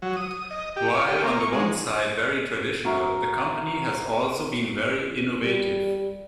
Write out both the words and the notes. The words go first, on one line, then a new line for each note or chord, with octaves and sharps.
While on the one side very traditional, the company has also been very innovative.
F#3
D#6
D#6
D#5
G4
C#5
G4
A#3
C#6
G#3
F#4 A#4 E5
G3